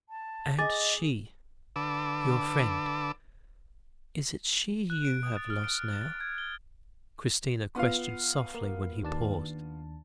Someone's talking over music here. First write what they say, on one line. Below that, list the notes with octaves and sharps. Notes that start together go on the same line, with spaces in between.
"And she--your friend--is it she you have lost now?" Christina questioned softly, when he paused.
A5
G#4 D#5 D6 A6
D3 B4 A5 D6 E6
F#6
D7
D#6
A6
F6
D7
F6
A6
G#6
G7
B3 F4 F5
A#3
D#2 D4 A5